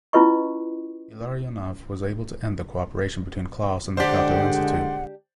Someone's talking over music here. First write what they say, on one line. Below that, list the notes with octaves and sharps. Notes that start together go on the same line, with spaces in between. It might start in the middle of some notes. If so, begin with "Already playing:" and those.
Illarionov was able to end the cooperation between Klaus and the Cato Institute.
C#4 E4 F4 B4 D#5 C#6
D3 G#3 D4 G4 C5 D5 F#5